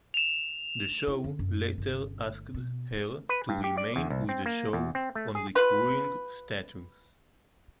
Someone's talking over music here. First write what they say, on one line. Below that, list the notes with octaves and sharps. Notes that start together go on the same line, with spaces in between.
The show later asked her to remain with the show on recurring status.
E7 F7
E4
D3
F#2
G1
B2
B4
G2
G4
D5
E2
C2
C4
A#3
E2
C4
A3
G#4
F4 B4